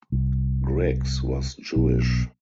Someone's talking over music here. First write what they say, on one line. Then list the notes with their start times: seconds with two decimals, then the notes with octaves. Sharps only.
Griggs was Jewish.
0.12 C2
1.76 B1